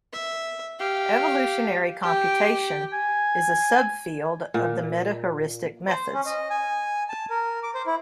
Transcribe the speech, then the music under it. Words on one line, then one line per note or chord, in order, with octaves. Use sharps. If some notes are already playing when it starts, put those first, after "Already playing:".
Evolutionary computation is a sub-field of the metaheuristic methods.
E5
G4 F5
G4 G5
G#5
A#2
C5
C#4
D#5
G#5
A5
A#4
D6
C5
E4